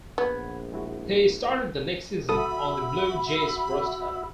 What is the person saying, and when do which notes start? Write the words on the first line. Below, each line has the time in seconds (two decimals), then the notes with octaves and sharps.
He started the next season on the Blue Jays' roster.
0.18 A#1 B3 F#5 B5 G#6
0.73 G#3 E4 F#4
2.29 G1 F#4 A4 E5 B5 D#6